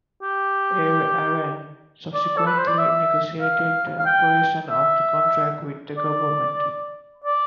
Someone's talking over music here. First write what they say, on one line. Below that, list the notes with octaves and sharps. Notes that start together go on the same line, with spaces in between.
Aer Arann subsequently negotiated the operation of the contract with the Government.
G4
D5
A4
B4
C5
D5
E5
F5
F5
G5
E5
D5
D5